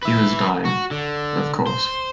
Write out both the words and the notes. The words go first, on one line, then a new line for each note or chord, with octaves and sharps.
He was dying, of course...
B4 E5
F#4
D3
C5